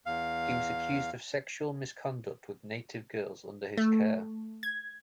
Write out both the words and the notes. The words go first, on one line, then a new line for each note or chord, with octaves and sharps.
He was accused of sexual misconduct with native girls under his care.
E2 F5
A3
G#6